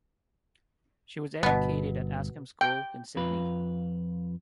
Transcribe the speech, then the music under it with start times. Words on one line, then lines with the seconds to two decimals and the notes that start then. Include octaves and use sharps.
She was educated at Ascham School in Sydney.
1.43 G1 B2 B3
2.61 G5
3.16 F2 F4 B4